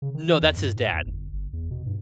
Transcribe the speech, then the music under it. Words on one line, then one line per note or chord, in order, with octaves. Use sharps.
No, that's his dad.
C#3
D#3
E3
E2
G2
A2
E2
G1
G1
E2
B2
G2